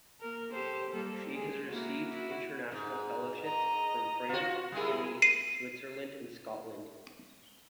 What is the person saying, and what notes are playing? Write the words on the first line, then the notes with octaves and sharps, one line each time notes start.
She has received international fellowships from France, Italy, Switzerland, and Scotland.
A#3 A#4
G4 A4 C5
G3 A#3 A4
G#3 G#4
A#3 E4 F#4
E4 F#4
G#2
D#5 A#5
F4 F#4
G3 G#3 E4 G#4 A#4
C7 D#7